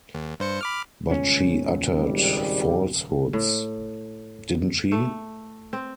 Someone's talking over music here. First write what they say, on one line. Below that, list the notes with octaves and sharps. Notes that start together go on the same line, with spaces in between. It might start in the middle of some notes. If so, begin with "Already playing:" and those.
But she uttered falsehoods, didn’t she?
D#2
G2 C5 C#7
B5 D6 F6
D#1 C#2 C#4
G#1 G3
A2
A3
C4